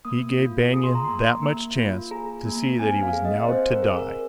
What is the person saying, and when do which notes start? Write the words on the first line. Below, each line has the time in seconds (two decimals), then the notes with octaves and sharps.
He gave Banion that much chance to see that he was now to die.
0.05 A#3 D#6
0.40 F4
0.74 G#4 D#6
0.84 C6
0.95 A#5
1.04 A#3 C6
1.43 A#3
1.76 F4
2.11 G#4 A#5
2.45 A#3
2.79 C4 G#5
3.03 F5
3.13 G#4
3.25 D#5
3.48 C4 C5
3.71 A#4
3.82 G#4
3.93 A#4